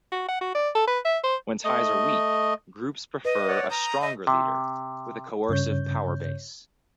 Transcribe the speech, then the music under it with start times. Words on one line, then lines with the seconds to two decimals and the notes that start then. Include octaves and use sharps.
When ties are weak, groups prefer a stronger leader with a coercive power base.
0.12 F#4
0.28 F#5
0.41 F#4
0.55 D5
0.75 A4
0.87 B4
1.05 E5
1.24 C5
1.64 A3 D#5
3.25 B4 D#5
3.48 C#5 D5 F#5
3.70 A#5 D#6 G6
4.01 D#5 E5
4.27 C3
5.49 G2 C#3 C#5 G6